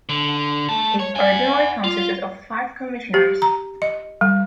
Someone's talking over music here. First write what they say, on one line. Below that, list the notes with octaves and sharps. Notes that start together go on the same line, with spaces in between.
It originally consisted of five commissioners.
D3
A3 A5
C#5
F#5 G#5
F4
G4
A#5
D#5
G3